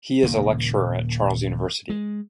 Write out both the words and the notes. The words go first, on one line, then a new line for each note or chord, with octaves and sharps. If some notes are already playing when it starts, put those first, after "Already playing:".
He is a lecturer at Charles University.
D#1 A#2 C#3 A#3
G#3